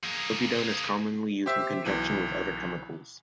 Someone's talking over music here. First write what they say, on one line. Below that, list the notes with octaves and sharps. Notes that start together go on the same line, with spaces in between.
Povidone is commonly used in conjunction with other chemicals.
A#3 G#4
G4 C5 E5
B1 E3